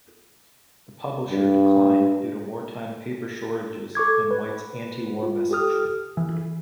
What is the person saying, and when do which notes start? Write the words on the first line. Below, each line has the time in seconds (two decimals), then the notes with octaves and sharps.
The publisher declined due to wartime paper shortages and White's antiwar message.
1.32 G2
3.95 A4 C#6 D6 G#6
4.31 B4
5.23 F4
5.51 G4 A4 D#6 F6
6.17 E3